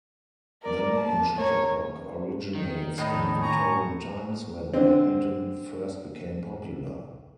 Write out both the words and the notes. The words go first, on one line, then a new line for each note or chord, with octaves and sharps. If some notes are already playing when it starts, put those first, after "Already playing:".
The name 'shuttlecock' originates in Victorian times, when Badminton first became popular.
A#4 D5
A5
A#4 C#5
D#3
A2 D#4
G#5 A#5 C#6
D3 C4